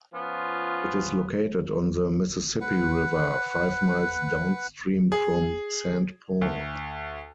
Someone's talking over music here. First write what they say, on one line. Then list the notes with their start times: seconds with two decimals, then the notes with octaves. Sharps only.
It is located on the Mississippi River, five miles downstream from Saint Paul.
0.14 F3 B3 C#4 F4
2.61 B4 F#5
5.12 G#4
6.41 D2